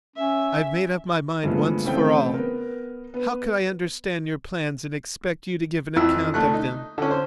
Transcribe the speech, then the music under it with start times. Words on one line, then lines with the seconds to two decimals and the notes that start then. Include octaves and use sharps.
I've made up my mind once for all: how could I understand your plans and expect you to give an account of them?
0.16 C#4 E5
1.44 G2 D3 F3 G#3 A3 B3
1.84 A1 C#3 A3 C4 E4 G5
2.34 B3 A#4
3.14 B3 B4
5.96 F2 E3 E4 E6
6.34 D2 A3 F#6
6.54 D#4
6.98 D3 C#4
7.11 C5